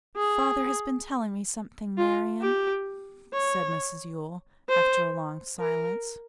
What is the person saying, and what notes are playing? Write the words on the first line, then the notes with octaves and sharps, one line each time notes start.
'Father has been telling me something, Marian,' said Mrs Yule after a long silence.
G#4
F4
G4
C#5
C5
A#4